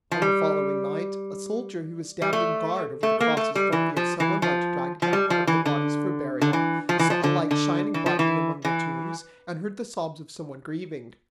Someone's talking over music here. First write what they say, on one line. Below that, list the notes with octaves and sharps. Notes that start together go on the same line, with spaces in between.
On the following night, a soldier who was standing guard over the crosses for fear someone might drag down one of the bodies for burial, saw a light shining brightly among the tombs, and heard the sobs of someone grieving.
F3
G3
G3
A3
A3
A#3
A3
G3
E3
F3
E3
F3
F3
G3
F3
E3
D3
D3
E3
F3
E3
F3
D3
D3
E3
F3
E3
E3